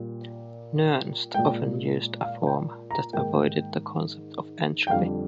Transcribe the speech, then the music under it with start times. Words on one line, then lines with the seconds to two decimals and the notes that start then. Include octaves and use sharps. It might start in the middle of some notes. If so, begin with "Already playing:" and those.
Nernst often used a form that avoided the concept of entropy.
Already playing: A#2 G3 A#3
1.34 A#2 G#3 G5
2.24 F5
2.47 G5
2.91 A#5
3.13 G#2 D#3 A#3 G5
4.87 G5
4.91 F2 D3 G3 F5